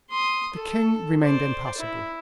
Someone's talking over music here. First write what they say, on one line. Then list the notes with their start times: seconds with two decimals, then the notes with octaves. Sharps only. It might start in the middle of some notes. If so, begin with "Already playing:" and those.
The king remained impassible.
0.10 C6 D#6
0.54 A4
1.22 C5 D5
1.78 E4